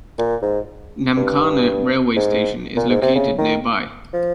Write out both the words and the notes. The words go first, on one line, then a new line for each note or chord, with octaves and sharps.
Namkhana railway station is located nearby.
A#2
G#2
G2
G#2
A#2
G#2
C3
C#3
D#3
F3